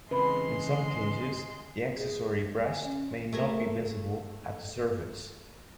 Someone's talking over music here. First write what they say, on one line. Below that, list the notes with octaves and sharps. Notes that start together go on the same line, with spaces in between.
In some cases, the accessory breast may not be visible at the surface.
C#3 E3 G#3 C4 B4 B5 C6
G#4
G#5
C#4
A3 G#4 A#4